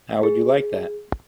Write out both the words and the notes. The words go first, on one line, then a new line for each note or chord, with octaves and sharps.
How would you like that?
G#4